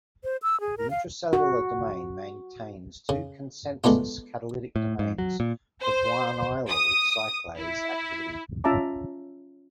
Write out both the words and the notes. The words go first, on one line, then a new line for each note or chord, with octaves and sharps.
The intracellular domain maintains two consensus catalytic domains for guanylyl cyclase activity.
C5
E6
G#4
A#4
F5
F#4
C#3
G#3 A3 B3 D4 F4
A2
G#2
F#3
A#2
C5
D#6
E4
C#4 F4 E5 A5 A#5 D6